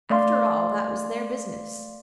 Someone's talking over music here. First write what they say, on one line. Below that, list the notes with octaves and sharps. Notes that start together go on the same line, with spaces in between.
After all, that was their business.
A3 D5 F5 C6